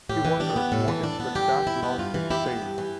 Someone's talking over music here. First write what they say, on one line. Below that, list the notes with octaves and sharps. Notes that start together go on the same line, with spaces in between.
He wondered, what if that cat lost its tail?
A2 G4
E3
D4 G4
B3
A2 A4
E3
D4 A4
B3
G2 G4
E3
E4
B3
G2 F4
E3
E4 G4
B3
G2
E3